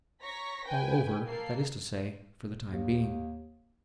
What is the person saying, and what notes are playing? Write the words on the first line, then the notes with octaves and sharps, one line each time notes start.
All over, that is to say, for the time being.
C#5 A#5 C#6 A#6 B6
B4 G5 G#5
A#3 A4 C7
D#2